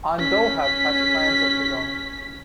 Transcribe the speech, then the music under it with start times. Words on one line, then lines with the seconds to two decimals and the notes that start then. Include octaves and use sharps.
Andoheb has plans of his own.
0.17 C#4 B6